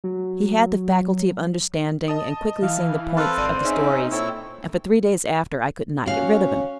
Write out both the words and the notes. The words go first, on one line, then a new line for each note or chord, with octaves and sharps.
He had the faculty of understanding and quickly seeing the point of the stories; and for three days after I could not get rid of him.
F#3
D#5 A5 D#6
E3 F5
C4 A4 B4 F5 A5
G#1 C5 D5 D#7
C#4 D#4 G#4 E5
A#2 C4 E4 A4 C#5 E6
C#4 F#4 F5